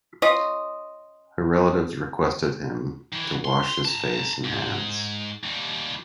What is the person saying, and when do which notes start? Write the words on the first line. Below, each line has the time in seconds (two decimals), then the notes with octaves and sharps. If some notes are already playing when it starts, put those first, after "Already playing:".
Her relatives requested him to wash his face and hands.
0.22 C#4 F4 D#5
3.13 D#3 E3
3.45 C6
3.85 A5 A#5
4.45 G#2
5.44 D#2 G3